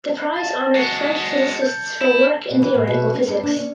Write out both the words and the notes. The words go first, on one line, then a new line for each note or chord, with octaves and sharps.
The prize honors French physicists for work in theoretical physics.
A5 A6
G#3 F#4 C#7
G6
E4
B2
E3
A2
B2
C#4
G2
D4
C#4